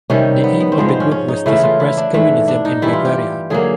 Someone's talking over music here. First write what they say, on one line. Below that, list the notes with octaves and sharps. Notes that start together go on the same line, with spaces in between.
The aim of the group was to suppress Communism in Bavaria.
C3 D#3 G3 C#4
B3
B3
C4
G#2 F3 G#3 B3
C4
C#4
C#4
D#4
C#3 E3 A3 E4
F4
E4
D4
G#2 E3 A3
D4
D#4
G2 E3 G3 E4
F4
G4
D3 F#3 A#3 G#4